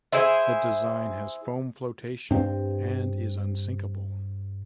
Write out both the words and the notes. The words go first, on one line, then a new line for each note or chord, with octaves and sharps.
The design has foam flotation and is unsinkable.
E4 G#4 C5 E5
G2 C4